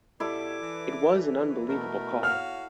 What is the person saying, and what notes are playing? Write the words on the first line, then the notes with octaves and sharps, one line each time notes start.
It was an unbelievable call.
B2 E4 G4 A4 D5 D6
E3
B2 A3 A#4
F#4 C#5 F5 F6